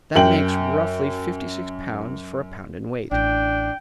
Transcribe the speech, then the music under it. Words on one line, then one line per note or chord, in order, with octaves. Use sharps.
That makes, roughly, fifty-six pounds for a pound in weight.
F#2 G5 F#7
A1 D4 G5